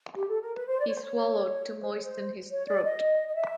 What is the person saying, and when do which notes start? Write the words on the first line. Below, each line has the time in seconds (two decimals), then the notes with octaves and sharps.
He swallowed to moisten his throat.
0.16 G4
0.29 A4
0.42 A#4
0.55 B4
0.67 C5
0.80 D5
0.87 C#5
0.95 C5
1.02 C#5
1.82 C5
1.93 C#5
2.03 C5
2.50 C#5
2.67 D5
2.83 D#5
3.28 D#5
3.34 E5